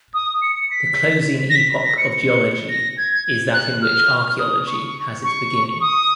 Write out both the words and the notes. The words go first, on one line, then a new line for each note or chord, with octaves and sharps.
The closing epoch of geology is that in which archaeology has its beginning.
D#6
C#7
C#7
B6
A#6
B6
A#6
C#7
C#7
A#6
G#6
F#6
F6
D#6
C#6
C#6
C#6
D#6